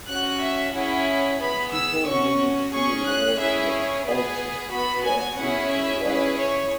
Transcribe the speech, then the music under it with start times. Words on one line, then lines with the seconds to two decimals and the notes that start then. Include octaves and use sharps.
The people living here worked in agriculture, ranching and logging.
0.08 C#4 F#4 F#6
0.41 E5
0.74 C#4 E4 G#4 F#5
1.40 B3 G#4 B5
1.74 E6
2.07 C#4 F#4 C#6
2.73 C#4 G#4 C#6
3.06 F#6
3.39 C#4 E4 G#4 E5
3.72 C#5
4.05 B3 G#4 B4
4.71 B3 F#4 B5
5.04 G#5
5.37 C#4 E4 G#4 F#5
5.70 E5
6.03 C#4 E4 G#4 B4
6.37 C#5